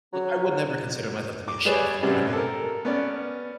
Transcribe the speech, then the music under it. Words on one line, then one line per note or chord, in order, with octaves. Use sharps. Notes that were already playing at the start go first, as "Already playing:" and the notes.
like, I would never consider myself to be a chef, you know what I mean?
F#3
D6
G3 G#4 B4 C#5 D5
F#2 C3 G3
A4 A#4
B3 C#4 D5